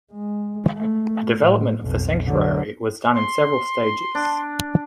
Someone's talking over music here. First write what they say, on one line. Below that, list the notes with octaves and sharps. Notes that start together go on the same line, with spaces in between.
The development of the Sanctuary was done in several stages.
G#3
A3
A2
B1 F2
D3 F#3
C6
D4